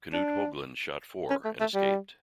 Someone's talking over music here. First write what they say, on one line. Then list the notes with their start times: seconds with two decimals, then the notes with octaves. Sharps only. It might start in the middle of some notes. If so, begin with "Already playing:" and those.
Knut Haugland shot four, and escaped.
0.13 D4
1.30 C#4
1.45 A3
1.60 A3
1.74 G3